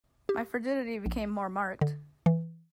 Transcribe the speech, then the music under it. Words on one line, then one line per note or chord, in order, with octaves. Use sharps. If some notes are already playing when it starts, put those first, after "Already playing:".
My frigidity became more marked.
G4
A#1
D3
E3